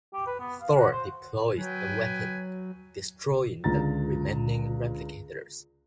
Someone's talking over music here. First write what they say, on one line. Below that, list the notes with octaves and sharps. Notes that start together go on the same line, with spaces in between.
Thor deploys the weapon, destroying the remaining replicators.
G4
B4
B3
F5
F#4
C5
F#3 B4 G5 G#5
C#2 D3 F4 A#5 A6